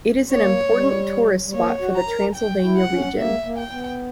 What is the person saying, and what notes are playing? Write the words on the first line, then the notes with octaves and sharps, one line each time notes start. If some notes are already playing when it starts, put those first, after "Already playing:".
It is an important tourist spot for the Transylvania region.
A#3 C#5
A#3
G3
G3
A#3 C#5
F#4
A#5
A#4
G5
E4
F#5
C#4
A#3 E5
A#3
G5
B3